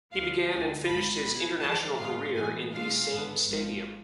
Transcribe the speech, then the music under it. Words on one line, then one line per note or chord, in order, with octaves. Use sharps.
He began and finished his international career in the same stadium.
D2 D3 F3 B3 F4 F5
D2 D3 G#3 B3 D4 G#5
G#1 G#2 F3 B5
B2 B3 E4 B5
E2 D3 F3 G#3 A5
G#2 G#3 B3 F4 F5
A2 E3 G#3 B3 G#5
B2 G#3 D4 F4 F5
G#1 G#2 G#3 B3
G#1 G#2 F3